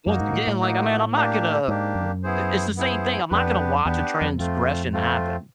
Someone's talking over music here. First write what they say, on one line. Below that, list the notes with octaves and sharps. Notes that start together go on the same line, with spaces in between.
once again, like, I mean, I'm not gonna i i it's the same thing. I'm not gonna watch a transgression happen.
F#2 A#3 D#4 F#4
G#2
A2
A2
A#3 D#4 F#4
A#3 D4 G4
G#2 A#3 D4 G4
F#2
B3 E4 G#4 C5
B3 E4 G#4 C5
F2 B3 D4 G4 B4
E2 B3 D4 G4 B4
F2
F2 A3 C4 F4
A3 C4 F4